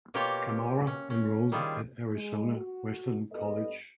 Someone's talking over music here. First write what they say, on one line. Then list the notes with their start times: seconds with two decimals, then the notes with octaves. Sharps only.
Kamara enrolled at Arizona Western College.
0.14 B2 A#3 F4 G4 C#5 G5
0.87 C#4
1.10 C#4
1.52 D#3 G3 E4 F4 G#4
2.14 G#3
2.57 F#4
3.32 G2 B3 A4 B4 D#5